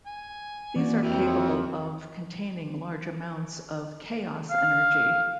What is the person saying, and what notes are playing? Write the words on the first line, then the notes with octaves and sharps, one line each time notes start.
These are capable of containing large amounts of chaos energy.
G#5
E3 A#3 F#4 D5
F2 C4 E4 F#4 G4 A#4
E4 C#5
F5